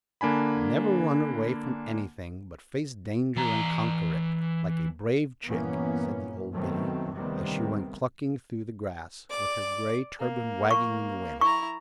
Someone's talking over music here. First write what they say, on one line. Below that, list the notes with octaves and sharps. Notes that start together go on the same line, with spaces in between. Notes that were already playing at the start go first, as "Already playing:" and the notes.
'Never run away from anything, but face danger and conquer it, like a brave chick,' said the old biddy, as she went clucking through the grass, with her gray turban wagging in the wind.
D3 A#3 D4 G#5 B5
E3 A#5
G2 A#2 E3 A#3 B3 C#4
F#2 B2 D#3 F#3 A3 C4
D2 C3 D#3 G3 B3 C4
D5 D6
A#3
C#6
E4 A#5 C#6